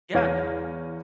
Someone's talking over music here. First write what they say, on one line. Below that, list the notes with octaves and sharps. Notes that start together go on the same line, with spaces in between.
Yeah, no.
E2 C#5 F5 F6 A#6 D#7